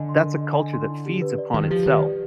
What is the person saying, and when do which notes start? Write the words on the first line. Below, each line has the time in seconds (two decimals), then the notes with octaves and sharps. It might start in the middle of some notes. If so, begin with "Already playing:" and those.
that's a culture that feeds upon itself.
Already playing: D3 D#5 G#5
0.09 C6
0.25 A#4
0.41 D#5
0.57 G#5
0.73 C6
0.90 E4
1.05 G4
1.22 B4
1.38 D5
1.54 D#3 E4
1.70 F3 G4
1.86 D#3 B4
2.03 D5